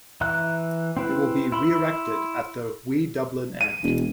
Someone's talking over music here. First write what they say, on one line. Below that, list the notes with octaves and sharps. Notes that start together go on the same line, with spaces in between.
It will be re-erected at the "Wee Dublin end".
E3 E5 A#5 F#6
C4 E4 B4
E4 B5 C6
D#7
E1